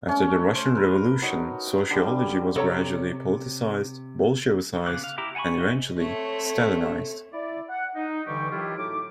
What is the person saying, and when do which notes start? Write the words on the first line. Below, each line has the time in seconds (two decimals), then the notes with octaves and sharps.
After the Russian Revolution, sociology was gradually "politicized, Bolshevisized and eventually, Stalinized".
0.08 A3 C#4
0.55 C5
0.75 A#4 B4
1.22 F#3 D#4
1.67 G5
1.90 D3 G3
2.56 C3 A4 C#5 A#5
4.87 C#3 B3 F5 D6 F#6
5.04 F5
5.18 E4 G4 A#5 D6
5.35 F#5 G#5 A5 B5 C#6
5.58 C5 D#5 E5
5.97 A3 C4 C#5 E5
7.33 E4 D5
7.70 F#5
7.95 D#4
8.27 G2 D3 E3 G3 G4 C#6
8.51 D#3 E3 F#3 E4 F4 G4
8.77 A2 D#4 F#4 D6